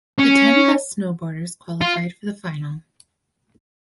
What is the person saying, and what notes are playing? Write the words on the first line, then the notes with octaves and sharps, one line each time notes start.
The ten best snowboarders qualified for the final.
C#4
F4